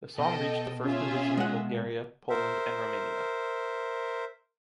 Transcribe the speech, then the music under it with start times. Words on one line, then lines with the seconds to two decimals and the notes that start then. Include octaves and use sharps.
The song reached the first position in Bulgaria, Poland and Romania.
0.18 B2 A4 D#5 G5
0.84 C#4 F4 G#4 E5
1.37 G#3 F#5
2.30 A#4 C5 E5